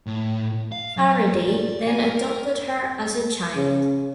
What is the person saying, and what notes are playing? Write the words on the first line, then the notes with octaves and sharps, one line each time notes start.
Faridi then adopted her as a child.
A2
F5
F#3
D5
G#5
A#4
C#3